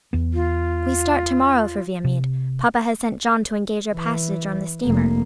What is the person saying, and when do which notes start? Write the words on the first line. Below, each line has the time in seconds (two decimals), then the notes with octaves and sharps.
"We start to-morrow for Viamede; papa has sent John to engage our passage on the steamer."
0.13 E2 B3
0.34 F4
2.04 C3
3.95 E3
4.84 F1 A#3